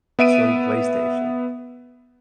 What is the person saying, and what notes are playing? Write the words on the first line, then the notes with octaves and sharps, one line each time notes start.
Sony PlayStation,
B3 E5 D7 D#7